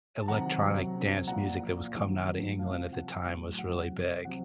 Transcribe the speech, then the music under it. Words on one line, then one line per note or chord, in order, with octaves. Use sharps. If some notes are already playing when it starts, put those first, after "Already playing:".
electronic dance music that was coming outta England at the time was really big.
A5
C3 D#3 F#3 F#5 A#5
C3 F#3
C3 F#3
A#2 F3 F#5 A#5
A#2 F3
C3 D#3 F#3
A2 F#3
C3 F3 F5 A5
C3 F#3 F#5
A2 F#3
C3 F#3 F#5
C3 F3
C3 F#3 F#5